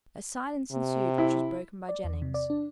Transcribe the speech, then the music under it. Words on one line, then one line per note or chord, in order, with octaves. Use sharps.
A silence ensued which was broken by Jennings.
C3
E4
D5
E2
C3
D5
D4